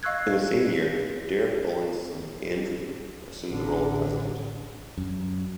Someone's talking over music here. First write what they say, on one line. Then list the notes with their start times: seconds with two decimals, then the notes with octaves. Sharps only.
In the same year, Derek Oland's son Andrew assumed the role of President.
0.03 D#5 F5 C#6 E6 F#6 G#6
3.49 A1 D3
4.98 F#2